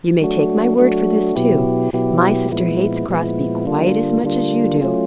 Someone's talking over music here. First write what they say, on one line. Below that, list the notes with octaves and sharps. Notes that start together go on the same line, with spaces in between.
You may take my word for this, too,--my sister hates Crosbie quite as much as you do.
F#3 A3 D4 F#4
F#3 A3 D4 F#4
B2 F#3 B3 E4 G4
B2 F#3 B3 E4 G4
A#2 F3 G#3 B3 E4
A#2 F3 G#3 B3 E4
D3 G3 A#3 D4 F4
D3 G3 A#3 D4 F4
F#3 A3 C#4 F4